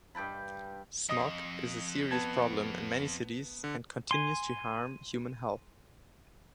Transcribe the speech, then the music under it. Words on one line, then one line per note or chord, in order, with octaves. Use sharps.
Smog is a serious problem in many cities and continues to harm human health.
G2 G5 A5 B5
F2 D#5 D#6
B3 A5 G#6
D3
G#5 C6